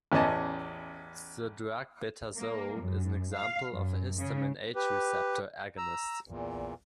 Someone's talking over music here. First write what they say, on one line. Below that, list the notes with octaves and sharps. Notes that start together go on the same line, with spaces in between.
The drug betazole is an example of a histamine H receptor agonist.
A1 E2 C#4 D#5 A5
A#3
F#2
F5
F#2
C#3
G4 B4
A#5 E6
E2 A#2